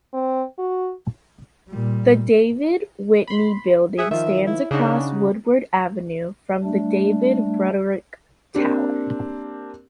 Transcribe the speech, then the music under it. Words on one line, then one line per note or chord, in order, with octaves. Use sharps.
The David Whitney Building stands across Woodward Avenue from the David Broderick Tower.
C4
F#4
A#2 G3
B5 C6
G#4 E5 F#5
D#3 F3 E5
E4
C#3 D4 D#4 F#4
G3 A3 D4
A#3 C4 D4 G4